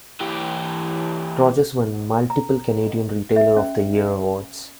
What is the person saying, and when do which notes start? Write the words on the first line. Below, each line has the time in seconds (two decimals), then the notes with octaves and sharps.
Rogers won multiple "Canadian Retailer of the Year" awards.
0.21 E3 G4
2.30 A#5
3.36 E5
3.57 C#4